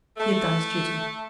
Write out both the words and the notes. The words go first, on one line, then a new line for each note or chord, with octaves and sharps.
He had done his duty.
A3